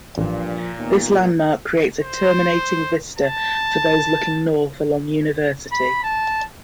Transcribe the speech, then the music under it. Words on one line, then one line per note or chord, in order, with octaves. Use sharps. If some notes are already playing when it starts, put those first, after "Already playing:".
This landmark creates a terminating vista for those looking north along University.
A1 G2 A#2 F3
D#2 B3
C5
A5
B5
A5